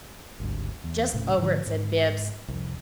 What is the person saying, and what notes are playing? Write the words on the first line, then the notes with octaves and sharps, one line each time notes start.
"Just over it," said Bibbs.
G#1 D2 G2
E2
D#1 C2 A2 C#3
G#2 D3 F3
G#2
C2 F2